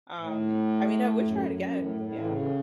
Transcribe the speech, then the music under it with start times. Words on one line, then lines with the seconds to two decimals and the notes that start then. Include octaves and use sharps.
Um, I mean, I would try it again, yeah,
0.18 A2
1.23 F#2
1.49 F#2
1.68 B2
1.75 A2
2.01 A2
2.18 E3
2.27 C#3